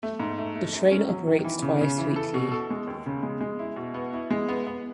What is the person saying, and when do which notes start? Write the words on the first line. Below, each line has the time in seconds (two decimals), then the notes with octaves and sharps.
The train operates twice weekly.
0.03 A3
0.20 G#2
0.38 A3
0.56 A3
0.73 F#2
0.91 C#4
1.09 F#3
1.27 D#3
1.44 E3
1.62 C#3
1.81 C#3
1.98 E3
2.16 A4
2.34 B2
2.52 A4
2.70 G#3
2.87 D#2
3.06 C#3
3.23 G#3
3.41 G#3
3.59 E4
3.76 B2
3.94 B3
4.13 E4
4.31 G#3
4.48 B3
4.67 B3